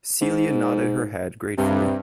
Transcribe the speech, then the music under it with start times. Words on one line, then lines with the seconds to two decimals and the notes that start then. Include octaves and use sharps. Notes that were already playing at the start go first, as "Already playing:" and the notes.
Celia nodded her head gratefully.
0.21 G#2
1.58 G2 C3